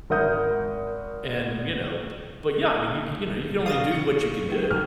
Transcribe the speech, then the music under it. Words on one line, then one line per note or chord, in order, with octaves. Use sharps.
and, you know but, yeah, I mean, you c you know, you can only do what you can do.
G#1 A#4 E5 F#5 D#6 G6
F5 C#6 D#6 A6 A#6 C7 D#7
C#7
F#3 D#4 B4
G1 G#2 F6